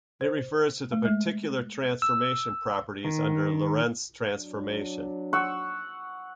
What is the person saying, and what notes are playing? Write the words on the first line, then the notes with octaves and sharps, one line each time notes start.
It refers to the particular transformation properties under Lorentz transformation.
C5
A3
G#3
E6
D#3
F#3 D4
F#5 C#6 E6